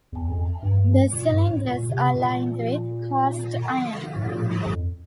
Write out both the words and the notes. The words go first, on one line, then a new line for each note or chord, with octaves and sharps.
The cylinders are lined with cast iron.
E2
F2
G2
A#2
G2
A2
A#2
C3
A#2
A2
A#2
A2
F2